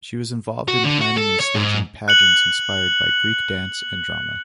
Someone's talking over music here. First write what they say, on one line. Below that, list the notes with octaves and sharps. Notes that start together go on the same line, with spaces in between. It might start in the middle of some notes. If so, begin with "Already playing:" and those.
She was involved in planning and staging pageants inspired by Greek dance and drama.
F#4
D3
F#4
A4
C#5
G#2
F#6 C#7 F#7